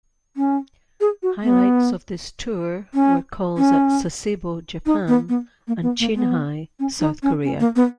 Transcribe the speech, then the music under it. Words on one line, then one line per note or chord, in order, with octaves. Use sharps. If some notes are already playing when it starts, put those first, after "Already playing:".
Highlights of this tour were calls at Sasebo, Japan, and Chinhae, South Korea.
C#4
G#4
F#4
B3
C#4
C#4
D#4
B3
B3
A#3
B3
A#3
B3
C#4
D#4
C#4
C#4
A#3
B3